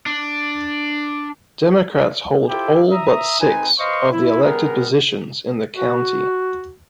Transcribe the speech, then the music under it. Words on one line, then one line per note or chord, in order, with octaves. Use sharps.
Democrats hold all but six of the elected positions in the county.
D4
E4 F4 G4 A4 C5 G5
E5 A#5 D#6
C4 D#4 B4 G#5
B4 C5 D#5 F5 C6 C#6
E4
G3 B3 G#4 A#4
F#4